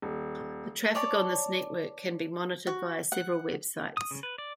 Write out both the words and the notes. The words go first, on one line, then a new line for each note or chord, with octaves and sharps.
The traffic on this network can be monitored via several websites.
D#1
C#5 D5 A5
F#4
F#5
D#6
C#3
B4
D5